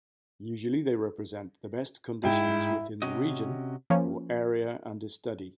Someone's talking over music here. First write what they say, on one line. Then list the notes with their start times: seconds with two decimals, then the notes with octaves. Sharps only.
Usually they represent the best conditions within the region or area under study.
2.24 G#2 E4 G5
3.02 C3 C#4 F#4 D#5
3.90 F3 A#3 C#4